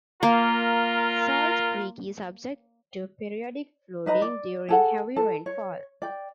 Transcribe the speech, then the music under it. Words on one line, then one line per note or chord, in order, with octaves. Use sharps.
Salt Creek is subject to periodic flooding during heavy rainfall.
A#3 F4 A#4
D#4 B4 D#5 A#5
D5
G#4 A4 F#5
A4
C#5
D5 G5